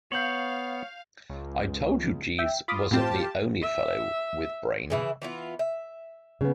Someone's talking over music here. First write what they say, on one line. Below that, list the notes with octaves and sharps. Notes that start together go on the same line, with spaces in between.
I told you Jeeves wasn't the only fellow with brain.
B3 C#5 F5 G6 F#7
C#2
E5 G5
F4 B5 D6 D#6
A2 C4 F4 G4 A5
E5
C#3 E3 E4
E3 B3 F4
E5
C#3 B3